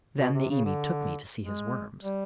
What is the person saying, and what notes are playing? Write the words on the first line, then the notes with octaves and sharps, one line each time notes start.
Then Niimi took me to see his worms.
B2
C3
C#3
D3
G#3
G3